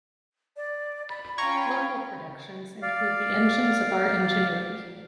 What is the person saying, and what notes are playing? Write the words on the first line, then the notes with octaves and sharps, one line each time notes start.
Local productions include "The Engines of Our Ingenuity".
D5
B5
C#4 F4 G5 A#5 C#6 G#6
D5 F5